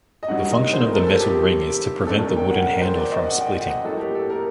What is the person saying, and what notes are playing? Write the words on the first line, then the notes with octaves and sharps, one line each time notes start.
The function of the metal ring is to prevent the wooden handle from splitting.
D#5
G2 D#3 F#3 F#5
D#5
C5
A#4
A4
A4
G4
G1 F#2 F#3 A4
A#4
G5
F#5
A#4
C5
D5
D#5
F#5
G5
F#5
D#5
A2 F#3 A#3 A4
G4
A4
A#4